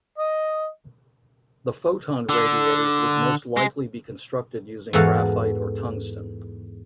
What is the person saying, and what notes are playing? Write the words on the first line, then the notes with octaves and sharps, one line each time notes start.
The photon radiators would most likely be constructed using graphite or tungsten.
D#5
D3
G#3
E2 G#2 E3 F#4 A4 F5